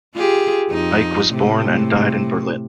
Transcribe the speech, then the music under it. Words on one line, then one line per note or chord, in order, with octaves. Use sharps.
Eicke was born and died in Berlin.
F4 G4 G#4
F2 D#4
A2 C3